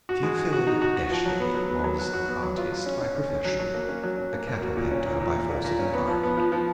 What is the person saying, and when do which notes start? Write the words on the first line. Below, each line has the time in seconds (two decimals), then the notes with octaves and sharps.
Theophil Eshley was an artist by profession, a cattle painter by force of environment.
0.09 F#4
0.23 G#3
0.38 F#4
0.53 F#4
0.67 D#4
0.82 F#4
0.96 F#4
1.11 F3
1.26 F#3
1.40 B3
1.55 F#3
1.69 B3
1.84 F#3
1.99 F#3
2.13 F#4
2.28 B3
2.43 F#3
2.58 F4
2.72 F#3
2.86 C#4
3.01 C#4
3.16 C#4
3.30 C#4
3.45 F#3
3.60 F#3
3.74 A#3
3.89 C#4
4.03 F#3
4.18 C#4
4.33 A#3
4.47 A#3
4.62 F#4
4.77 A#2
4.91 C#4
5.06 A#2
5.20 A#2
5.35 A#2
5.49 A#2
5.65 A#2
5.79 C#4
5.93 B3
6.08 F3
6.23 B3
6.37 F3
6.52 F3